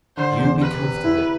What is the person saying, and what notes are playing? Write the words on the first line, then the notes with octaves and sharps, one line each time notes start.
You be comfortable.
D3 C5
E2
C3 B4
C3
E4